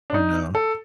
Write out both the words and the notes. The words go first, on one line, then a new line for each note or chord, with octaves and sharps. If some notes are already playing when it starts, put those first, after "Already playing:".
Oh, no.
D4
D#4
A4